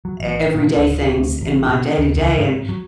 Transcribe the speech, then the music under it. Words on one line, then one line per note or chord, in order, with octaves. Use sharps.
everyday things in my day-to-day, and
F#3
A1
A#2
D1
D2
A1
B2
D#2
C#2
G#2
F#3